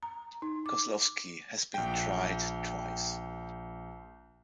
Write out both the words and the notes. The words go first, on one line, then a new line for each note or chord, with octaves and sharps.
Kozlowski has been tried twice.
A#5
D#4
D6
A#1 G5